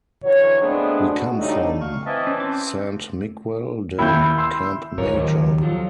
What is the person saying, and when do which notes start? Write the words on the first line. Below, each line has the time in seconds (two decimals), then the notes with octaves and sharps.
We come from Sant Miquel de Campmajor.
0.24 D3 E3 F#3 F#4 C#5
0.60 G#3 A3 B3 C4 D4
1.07 F#4
1.38 D3 F#3 G3 A3 D4 D#4
1.81 F5 C#6
2.06 E3 C4 D#5 E5 A5
2.27 C#4 D5
2.40 C4 D6
3.99 D#2 E4 G6
4.38 C6 E6
4.98 D2 G#2 F4 A#4 C#5
5.14 D#2 A#2 D#3 F#3
5.61 F3 F#3 F4 A4